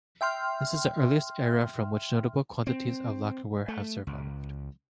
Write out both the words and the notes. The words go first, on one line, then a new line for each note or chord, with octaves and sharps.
This is the earliest era from which notable quantities of lacquerware have survived.
E5 G5 C6 F6
C4
A3
C#2